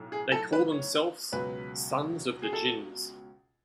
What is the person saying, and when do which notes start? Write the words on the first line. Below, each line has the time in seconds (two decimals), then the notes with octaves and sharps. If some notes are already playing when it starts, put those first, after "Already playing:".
They call themselves sons of the Jinns.
Already playing: B1 A2
0.12 G#4
0.32 A4
0.53 B4
0.72 C#5
1.32 C#2 B2 F#3 B4
2.42 G#4
2.53 A4